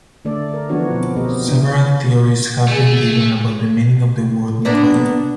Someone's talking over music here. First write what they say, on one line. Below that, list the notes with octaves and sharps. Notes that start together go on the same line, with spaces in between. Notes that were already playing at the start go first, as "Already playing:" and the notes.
Several theories have been given about the meaning of the word Nicoya.
D3 A3 A4 D5
A#4
E3 F3 B3 D4 F#4 C#5
B2 F3 C4
B2 C4 G4 A#4 D#5
B3 D4
A3 G#4
A#3 B3 D4